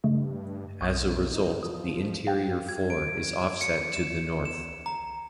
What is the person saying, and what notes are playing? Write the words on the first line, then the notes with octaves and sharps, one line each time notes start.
As a result, the interior floor is offset to the north.
G2 C#3 A3 D#5
B1 C#6 D#6 G6
D#4
F3 D#6
F5 G5
G#6
D7
C#7
E7
E7
A#5